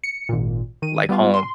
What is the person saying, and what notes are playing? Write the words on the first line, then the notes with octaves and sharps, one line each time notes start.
like home
C#7
G#1 A#2
D#3 D#7
G3 B3 F4
C6